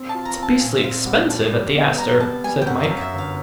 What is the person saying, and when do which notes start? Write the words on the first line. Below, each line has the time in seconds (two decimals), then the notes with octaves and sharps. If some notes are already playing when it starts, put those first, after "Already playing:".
"It's beastly expensive at the Astor," said Mike.
Already playing: C4
0.09 A5
0.14 F4
0.25 A#5
0.37 C4
0.43 A5
0.60 A#2 G#5
0.77 E5
0.84 C4 F5
1.00 F5
1.06 G3 F#5
1.29 G3 A5
1.52 G3
1.74 B3
1.98 G3 A#5
2.20 B3 A5
2.44 G3 G#5
2.62 G5
2.66 F#2 F#5
2.83 F5
2.89 F#2
3.01 E5
3.13 G1
3.18 F5